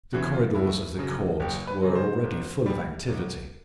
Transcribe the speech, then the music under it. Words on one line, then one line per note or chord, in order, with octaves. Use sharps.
The corridors of the Court were already full of activity.
E2 C#3 E3 F#4
F4
F#1 E4
F#2 C#3 F#3
F#1 G4
B4
F#2 C#3 F#3
C5
B1
A#2 G3
B1